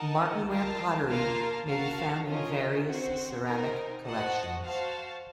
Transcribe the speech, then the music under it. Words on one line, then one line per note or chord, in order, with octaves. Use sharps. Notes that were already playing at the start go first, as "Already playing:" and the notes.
Martinware pottery may be found in various ceramic collections.
Already playing: D#4 A#4 D#5 F#5 A5
F4 A#4 F5 A5
A#3 F4 A#4 F5 A5
F#4 A#4 F5 A5
C#4 F4 A#4 D#5
C4 F#4 C5
C4 D#4 A#4
F#4 C5 D#5 F#5 A5
F#4 C5 F5 A5